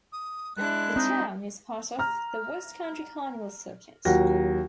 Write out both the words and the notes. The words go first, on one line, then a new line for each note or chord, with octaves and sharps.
The town is part of the West Country Carnival circuit.
D#6
G#3 D4 E4 F#6
C4 D#4
A#5 F6
D#2 F#3 F4 F#4 F#5 A#6